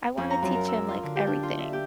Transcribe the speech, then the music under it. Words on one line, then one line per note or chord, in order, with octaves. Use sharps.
I wanna teach him, like, everything.
F2
A#5
F#2
A#4
E6
F4
D3
G4
D4
F4
E5
G4